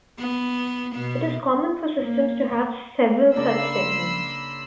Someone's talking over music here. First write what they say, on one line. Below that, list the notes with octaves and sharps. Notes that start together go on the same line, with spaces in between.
It is common for systems to have several such segments.
B3
B2 B3
A#3
C#3 A#3 D4 B5 C6 E6